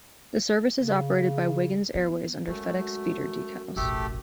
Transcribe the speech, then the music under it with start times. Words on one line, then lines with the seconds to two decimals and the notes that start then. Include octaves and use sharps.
The service is operated by Wiggins Airways under FedEx Feeder decals.
0.79 C#3
1.95 B3
2.48 F#2 G#3 A3
3.76 E1 A1 A3 G4 A4